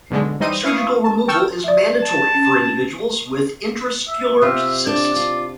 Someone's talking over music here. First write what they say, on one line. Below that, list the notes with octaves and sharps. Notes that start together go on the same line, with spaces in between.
Surgical removal is mandatory for individuals with intraoscular cysts.
B1 B2 D3 G#3
E3 G3 D#4 C5 D#5 D#7
E4 F5 C#6 D#6
A5
G5 A5 C#6 E6 F6 G6
D5 E5
A5
C#4
E5
C3 F4 G4 E5
D4 D5
F4